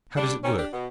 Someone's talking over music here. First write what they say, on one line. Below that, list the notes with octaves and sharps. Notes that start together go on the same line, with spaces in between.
"How does it work?"
G3 D4
D#3 C4 C#4
D4 G4
B2